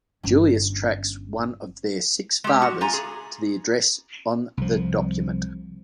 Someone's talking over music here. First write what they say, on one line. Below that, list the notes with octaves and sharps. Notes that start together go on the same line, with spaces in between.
Julius tracks one of their six fathers to the address on the document.
G1 C#4
G#3 G4
F#4
F4 G#5 A#5
G#4
C2 F3